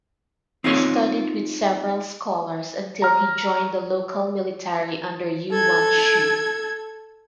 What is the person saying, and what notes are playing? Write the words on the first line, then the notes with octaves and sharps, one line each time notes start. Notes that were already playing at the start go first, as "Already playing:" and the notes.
He studied with several scholars until he joined the local military under Yuan Shu.
C4 D#4 F4 G#4 C#5
A#5 F6
A4 G#6